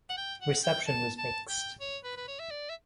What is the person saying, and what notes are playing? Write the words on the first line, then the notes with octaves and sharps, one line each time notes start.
Reception was mixed.
F#5
G5
F#5
G5
A5
A5
G5
C#5
B4
B4
C#5
E5
D5
E5